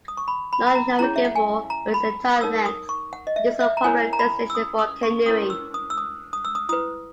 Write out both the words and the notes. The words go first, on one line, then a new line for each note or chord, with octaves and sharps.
Non-navigable for its entire length, it is a popular destination for canoeing.
D#6
C#6
B5
B5
B5
A#5
C#4 E4 G#4 C#5 A#5
E5
F#5
G#5
A#5
B5
D#6
D#4 A#4 C#5 E6
D#6
C#6
F#5
D#5
E5
E5
A#5
E4 A#4 C#5 G#5
A#5
B5
E6
D#6
D#6
C#6
C#4 E4 A#4 C#5 D#6
E6
D#6
E6
D#6
D#6
E6
D#6
E4 B4 D#6